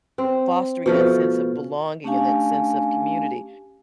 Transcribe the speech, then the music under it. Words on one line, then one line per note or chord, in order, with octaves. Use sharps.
fostering that sense of belonging and that sense of community,
C4
B2 F3 A3
A3 C#4 D4 G4 F5 G#5